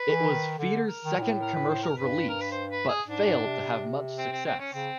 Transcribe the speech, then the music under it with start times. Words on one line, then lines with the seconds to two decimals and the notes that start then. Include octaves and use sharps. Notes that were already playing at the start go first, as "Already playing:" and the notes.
It was Feeder's second commercial release, but failed to have much success.
Already playing: B4
0.08 D#3
0.12 E3
0.30 D#3
0.58 D3
0.86 A#4
1.04 D#3
1.18 A#2
1.22 A2
1.42 A#4
1.55 B4
1.69 C5
1.83 A#4
1.97 G2 B4
2.29 A#4
2.41 B4
2.51 C5
2.71 B4
2.88 G#4
3.07 G#2 D4
3.26 G#2
3.44 C3
4.18 C4
4.32 C4
4.45 C4
4.59 C#4
4.73 C#3 C4